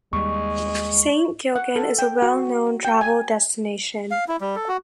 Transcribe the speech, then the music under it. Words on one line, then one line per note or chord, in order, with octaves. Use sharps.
Saint Gilgen is a well-known travel destination.
D#2 G3 G#3 C#6
F#5
A4
G5
F#4
G5
G#5
F5
E4
G3
A4
F#4